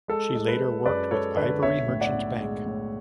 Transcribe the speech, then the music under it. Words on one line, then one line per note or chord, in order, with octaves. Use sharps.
She later worked with Ivory Merchant Bank.
G#3 A4
G#3
B4
G#3
F#2 B4 D5
G#3 A4 C#5
D3 B4 D5
B1 C#5 E5
A2
D5 F#5
B1
G#3
A2